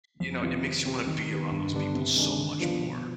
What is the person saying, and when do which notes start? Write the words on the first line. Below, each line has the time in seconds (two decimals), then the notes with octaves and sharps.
you know, it makes you wanna be around those people so much more.
0.20 F2
0.42 C3 D#3 B3 F4
0.64 G3
0.85 C4 G4
1.07 D#3
1.30 G3 B3
1.51 G2
1.73 D3 G3 B3 D4
1.95 C3
2.16 D#3 G#3 D4
2.38 D3
2.60 F3 B3 D4 F4
2.81 B2